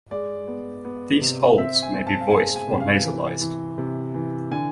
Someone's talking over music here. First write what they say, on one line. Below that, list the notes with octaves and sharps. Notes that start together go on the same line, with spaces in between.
These holds may be voiced or nasalized.
G#3 D5
B3
B3
C3
C4 E5
G#5
C4
A5
F5
G#3 G#5
G#5
C3
F5
E3
E3
C3
E3
D3 G#5